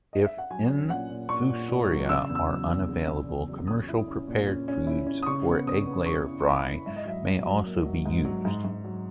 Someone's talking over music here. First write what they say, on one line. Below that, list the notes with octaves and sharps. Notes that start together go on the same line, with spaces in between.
If infusoria are unavailable, commercial prepared foods for egglayer fry may also be used.
D#5
E5
F#5
F#3 G#5
C#4
A#2 F#5
A#2
A#2 C#6
A#2
A#2
F#3
C#3 E6
E2
E6
F#3
E2
C#3
C#3
E2
F#3
C#4 D#6
E4
C#4
A#2
C#4
C#4
E4
C#4
D#6
C#3 C#6
B3
C#3 D#6
B3
C#3 C#6
E4
C#6
E4 B5
E4
G#2 E5
D#5
F#3 E5
F#3
F#3
A#3
F#3
G#2
F#3
G#2
G#2
F#3